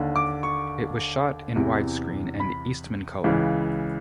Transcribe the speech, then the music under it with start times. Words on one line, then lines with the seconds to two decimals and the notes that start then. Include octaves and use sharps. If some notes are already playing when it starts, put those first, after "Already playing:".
It was shot in widescreen and Eastmancolor.
Already playing: D#2 D3
0.16 D6
0.43 C#6
1.56 E2 C3 E3
2.40 B5
3.24 C#2 C#3 E3